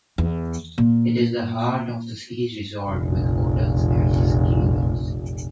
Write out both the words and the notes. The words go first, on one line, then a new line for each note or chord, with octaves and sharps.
It is the heart of the ski resort with hotels and ski lifts.
E2
A#2
F1 A#1